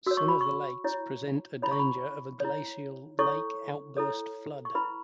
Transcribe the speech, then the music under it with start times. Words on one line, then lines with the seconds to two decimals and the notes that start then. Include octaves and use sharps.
Some of the lakes present a danger of a glacial lake outburst flood.
0.06 F#4 C#5 E6
0.17 C#6
0.28 B5
0.41 C#6
0.84 E4 C#5
1.62 E4 C#5 B5
1.71 C#6
1.79 B5
2.40 E4 C#5
3.19 E4 A4 C#5 C#6
3.97 E4 A4 C#5
4.65 C#6
4.75 E4 B4 B5